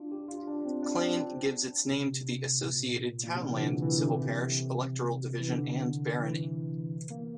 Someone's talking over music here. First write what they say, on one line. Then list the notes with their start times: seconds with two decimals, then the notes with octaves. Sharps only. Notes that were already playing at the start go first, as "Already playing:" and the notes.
Clane gives its name to the associated townland, civil parish, electoral division and barony.
Already playing: D4 F4
0.12 G4
0.28 F4
0.47 D4
0.65 C4
0.83 D4
1.00 C4
1.91 C3
2.62 A#2
3.23 A#2
3.34 C3
3.50 E3
3.57 D3
3.82 E3
3.97 D3
4.06 C3
5.40 E3
5.49 D3
6.20 E3
7.10 A#3